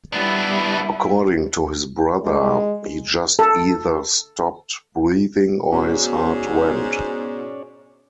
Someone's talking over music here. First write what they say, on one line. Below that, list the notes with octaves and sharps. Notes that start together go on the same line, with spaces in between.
According to his brother, "he just either stopped breathing or his heart went".
G3 B3 D4 E4
G#3
A4
G#2 B2 C#4 G#4 C#5 D5